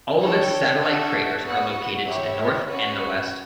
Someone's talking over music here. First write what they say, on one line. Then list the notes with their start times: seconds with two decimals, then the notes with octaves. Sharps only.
All of its satellite craters are located to the north and the west.
0.19 D4 A4 C#5 G5
0.81 D4 F#4 A4 E5
1.43 B3 F#4 B4 F#5
2.06 E4 G4 C#5
2.68 C#4 F#4 B4